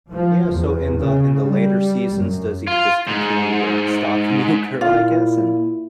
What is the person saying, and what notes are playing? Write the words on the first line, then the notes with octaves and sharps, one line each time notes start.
Yeah. So in the in the later seasons, does he just continue to stalk a new girl, I guess? And
F3
E2
C#3
G3
F#2
F4
G#2
A#2 E4 F4